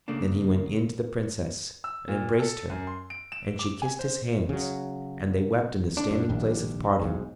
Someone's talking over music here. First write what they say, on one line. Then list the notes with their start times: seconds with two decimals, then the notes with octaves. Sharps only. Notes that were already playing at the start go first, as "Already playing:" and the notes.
Then he went in to the Princess and embraced her; and she kissed his hands and they wept in the standing-place of parting.
0.08 C#3 A3 A#3 D4
1.84 E6
2.08 A#2
2.40 A4
2.70 F#2
2.87 C6
3.10 D7
3.32 E7
3.59 D6
3.82 G#5
3.99 C5
4.49 C#3 F#3
5.97 D4
6.11 F#2
6.29 A#1 D#2 G3
7.02 B1 G#2